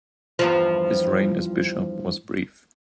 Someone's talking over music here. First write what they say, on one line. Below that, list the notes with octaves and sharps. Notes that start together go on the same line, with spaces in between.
His reign as bishop was brief.
E2 G2 F3